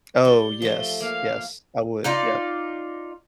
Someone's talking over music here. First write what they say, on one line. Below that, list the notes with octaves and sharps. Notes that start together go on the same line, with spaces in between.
Oh, yes, yes, I would, yep.
G3 G7
F3 A3
A#3 F5
D#4 F4 D5